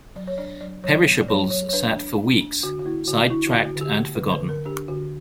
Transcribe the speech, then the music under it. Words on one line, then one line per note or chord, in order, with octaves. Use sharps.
Perishables sat for weeks, sidetracked and forgotten.
F#3 D5
C#5
D4 D5
F#3 D5
F#3 C#5
B3
D5
F#3 C#5
F#3 C#5
C#5
D4 B4
D4
D4
D4
D3 F#4
F#4
A#3 E4
D3 F#4
D4 E4
F#4
D3
F#4
D3
G4
A#3
B4
D3
B4
D3
A#4
D4 G4
D3 F#4